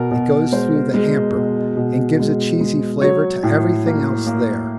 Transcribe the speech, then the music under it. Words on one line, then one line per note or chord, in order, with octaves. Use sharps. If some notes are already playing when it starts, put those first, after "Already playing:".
It goes through the hamper, and gives a cheesy flavour to everything else there.
Already playing: B2 A#4
B2
G#3 C5
G#3
B2
B2
G#3
G#3
F#3 C#5
A2
A#3
A#3